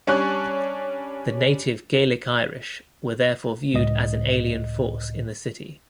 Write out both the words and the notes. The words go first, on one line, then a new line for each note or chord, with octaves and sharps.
The native Gaelic Irish were therefore viewed as an alien force in the city.
G3 C#4 D4 G#5 C#6 F#6
C#2 A2 D#5